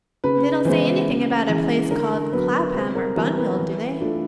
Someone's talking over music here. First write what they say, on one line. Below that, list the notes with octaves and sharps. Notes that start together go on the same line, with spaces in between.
"They don't say anything about a place called Clapham, or Bun Hill, do they?"
C#3 B4
E3 G#3 B3 E4 C5
C#3
E3 G#3
D3 A#4
F#3 B3 B4
C3 C5
A#4
E3 G3 B3 A#4
B4
E3
A3 D4 F4